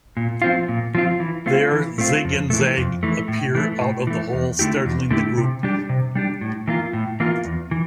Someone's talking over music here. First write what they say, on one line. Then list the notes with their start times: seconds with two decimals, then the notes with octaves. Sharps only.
There, Zig and Zag appear out of the hole, startling the group.
0.17 A#2
0.42 F3 C4 F4
0.68 A#2
0.95 F3 C4 F4
1.20 E3
1.46 A3 C4 F4
1.72 E3
1.98 A3 C4 F4
2.25 F2
2.50 E3 A3
2.77 F2
3.03 E3 A3
3.28 A2
3.55 E3 A3
3.81 A2
4.07 E3 A3
4.33 E2
4.59 D3 A3 E4 G4
4.86 E2
5.11 D3 A3 E4 G4
5.37 C3
5.63 G3 D4 G4
5.89 C3
6.15 G3 D4 G4
6.41 A2
6.67 E3 A#3 F4
6.93 A2
7.20 E3 A#3 F4
7.45 E2
7.71 E3